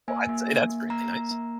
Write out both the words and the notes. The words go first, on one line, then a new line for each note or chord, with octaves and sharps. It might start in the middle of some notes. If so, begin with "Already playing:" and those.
Well, I'd say that's really nice.
A#3 G#5
A#3
A#3
A#3
A#3 A#5
A#3
A#3